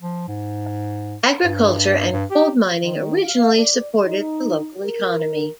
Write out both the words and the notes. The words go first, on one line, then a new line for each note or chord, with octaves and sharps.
Agriculture and coal mining originally supported the local economy.
F3
G#2
G2
G2
G4
D#3
F5
D5
D#4
A#4